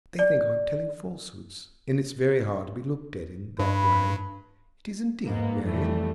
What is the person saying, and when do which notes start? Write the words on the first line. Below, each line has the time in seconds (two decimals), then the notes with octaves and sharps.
They think I'm telling falsehoods, and it's very hard to be looked at in that way; it is, indeed, Marian.'
0.19 D5
3.59 G2 B5
5.25 G#2 A#3 B3
5.63 F2 E3 G3 A3